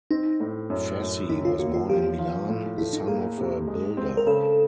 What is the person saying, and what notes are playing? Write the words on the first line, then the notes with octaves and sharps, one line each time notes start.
Fassi was born in Milan, the son of a builder.
C4 D#4
A2
F#2
F#2
D#3 E4
F4
A#3 F#4
F4
F3 G4
F3
A2
A3 E4
D#4
A#3 G#4
C3
G#3
C4
A#4
C#3 A4